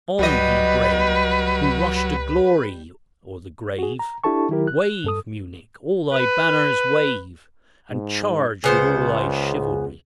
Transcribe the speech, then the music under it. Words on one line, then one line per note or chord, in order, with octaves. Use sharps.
On, ye Brave Who rush to glory, or the grave! Wave, Munich all thy banners wave, And charge with all thy chivalry!
C#2 F#3 G3 B4 D#5
F#4 G#4
A#5
D4 E4 G4 A4 A5 C#6
D#3 F#3 E4 G4 A#4
F#6
G2 A4 D#6
B4
G#2
C#2 C#3 B3 C5